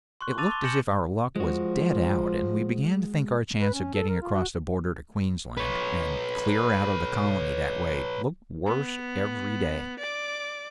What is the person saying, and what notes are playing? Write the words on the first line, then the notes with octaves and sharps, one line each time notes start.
It looked as if our luck was dead out, and we began to think our chance of getting across the border to Queensland, and clear out of the colony that way, looked worse every day.
C6 C#6 F#6
A5 D6 E6 A6 D#7 F7
C6 G7
G#5 G6 A#6 C#7 E7 F#7
F3 G#3 F#4
B4
C#4
A4
A#4
F4
F#4
B4 C#5
B3
D5 D6